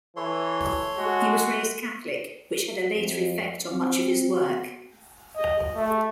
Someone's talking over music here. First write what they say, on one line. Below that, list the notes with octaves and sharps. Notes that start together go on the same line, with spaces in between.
He was raised Catholic, which had a later effect on much of his work.
E3 A4 C#5 C6
G#3 F#4
F2
C4
F#4
D#5
A3